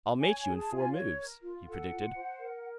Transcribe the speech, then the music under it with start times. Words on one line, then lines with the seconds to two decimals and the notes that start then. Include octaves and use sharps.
"I'll mate you in four moves," he predicted.
0.21 C#5 G#5
0.38 G#5
0.45 G#4
0.58 A5
0.69 F4
0.75 G#5
0.93 C#5
1.18 A#4
1.42 F4
1.66 A4 F#5
1.91 F4
2.15 C5
2.39 A#4